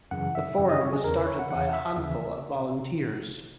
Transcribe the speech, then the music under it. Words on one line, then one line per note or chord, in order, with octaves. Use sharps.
The forum was started by a handful of volunteers.
F#2 C#3 E3 F#5
E5
F#2 C#3 E3 E5
D#5
C#5
G#4
E2 C#3 E3 A#4
B4
C#5
F#5
E2 C#3 E3 F#5
E5
D#2 C#3 E3 E5